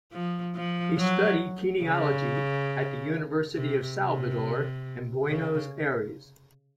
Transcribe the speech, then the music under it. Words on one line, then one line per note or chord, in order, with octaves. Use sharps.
He studied kineology at the University of Salvador in Buenos Aires.
F3
F3
F#3
C#3
C3
C3
C#3